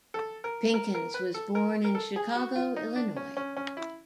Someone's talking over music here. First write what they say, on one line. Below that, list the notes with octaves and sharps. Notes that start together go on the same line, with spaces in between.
Pinkins was born in Chicago, Illinois.
A4
A#4
A#4
A#4
B4
A4
A#4
A#4
A4
G#4
F#4
F4
D#4
D4
C#4
C#4
C#4
E4